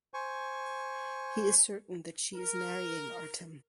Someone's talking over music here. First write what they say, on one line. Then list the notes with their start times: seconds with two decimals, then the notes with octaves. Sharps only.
He is certain that she is marrying Artem.
0.14 C5 G#5 C#6
2.36 A#4